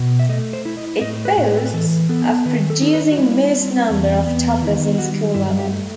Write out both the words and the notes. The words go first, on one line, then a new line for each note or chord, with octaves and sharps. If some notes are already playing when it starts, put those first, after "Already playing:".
It boasts of producing most number of toppers in School level.
Already playing: B2
E5
A3 D#5
C5
E4
D#5
A2 D#5
B4
A2
B4
A4
B4
E3 A4
B3 A4
D#3 B4
A4
D#4
A4
B4
F#4
G3 E4
C4
E2
B3
D#3 E4
G3 F#4
G2 E4
G4
A3